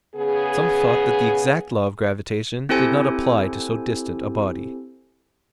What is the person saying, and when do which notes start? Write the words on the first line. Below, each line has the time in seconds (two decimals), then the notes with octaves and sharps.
Some thought that the exact law of gravitation did not apply to so distant a body.
0.15 C#3 B3 G#4
2.69 C4 E4 G4 A4 C5 G#5